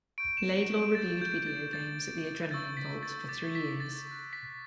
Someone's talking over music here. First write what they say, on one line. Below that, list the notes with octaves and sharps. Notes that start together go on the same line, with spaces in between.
Laidlaw reviewed video games at The Adrenaline Vault for three years.
C#6 G6 D7
E7
D7
D7
D6 G6 A6
G6
A6
D6 G6 A6
C#6 E6 G6 A6
B6
A6
D6 G6 A6
B6
A6
D6 F#6
B6